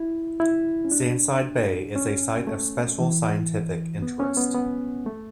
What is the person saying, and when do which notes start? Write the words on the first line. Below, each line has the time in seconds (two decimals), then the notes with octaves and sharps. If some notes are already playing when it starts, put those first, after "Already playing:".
Sandside Bay is a Site of Special Scientific Interest.
Already playing: E4
0.40 E4
0.85 C#4
0.92 D4
1.96 C#4
2.47 A3
2.99 E3
4.02 B3
4.20 C#4
4.37 B3
4.54 B3
5.06 A3